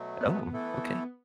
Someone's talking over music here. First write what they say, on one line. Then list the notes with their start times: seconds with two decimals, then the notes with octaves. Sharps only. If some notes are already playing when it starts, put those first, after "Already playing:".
Oh, okay.
Already playing: B2 F#3 A3
0.21 B3
0.53 E3 A3 E4 A4